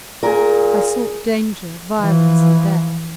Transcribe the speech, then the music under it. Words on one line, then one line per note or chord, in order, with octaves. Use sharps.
I sought danger, violence, and death.
A#2 G#4 A#4
E3 F3